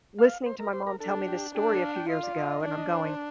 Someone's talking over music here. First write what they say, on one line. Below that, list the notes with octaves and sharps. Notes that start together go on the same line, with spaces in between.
listening to my mom tell me this story a few years ago, and I'm going
F5
C5
A#4
C5
A#4
D4 A4
G4
D4 G4
A4
F5
G5
F4 D#5
D5
D#5
D#5
D4 D5
D#5
C5
C5